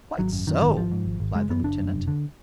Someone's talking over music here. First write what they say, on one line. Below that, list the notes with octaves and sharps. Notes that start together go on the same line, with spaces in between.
"Quite so," replied the lieutenant.
G#1 F#3
F#2
F#2 D#3
G#1 D#3
G#1 F3
G#2
G#1
G#1
F#1 G#3
F#2 B3
F#1 D4
F#2
F1
D3